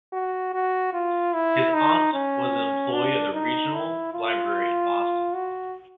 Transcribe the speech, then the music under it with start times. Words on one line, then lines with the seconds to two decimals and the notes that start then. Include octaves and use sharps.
His aunt was an employee of the regional library in Boston.
0.13 F#4
0.54 F#4
0.93 F4
1.33 E4
1.74 D#4
2.13 C#4
2.93 D4
3.34 D#4
3.74 E4
4.13 F4
5.35 F#4